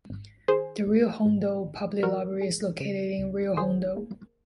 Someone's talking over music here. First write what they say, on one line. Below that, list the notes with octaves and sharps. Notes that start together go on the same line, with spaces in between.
The Rio Hondo Public Library is located in Rio Hondo.
G#1
D#3 G#4 C5
G#1
G#2
G#1
F3 F#4 A#4
G#3
C#3
C#2
D#3 G#4 C5
A#3